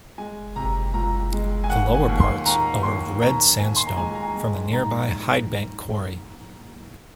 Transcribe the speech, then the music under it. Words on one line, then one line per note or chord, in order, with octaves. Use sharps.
The lower parts are of red sandstone from the nearby Hyde Bank quarry.
G#3 G#5
C3 A#5
C#2 A#5
G#3
G#5
D#2 F#5
G#5
D#2
C6
D#2 A#5
D#2 C6
D#2 A#5
D#2 G#5
C6
A#5
G#3 G#5
A#5
G#5
G#3
G#2 A#5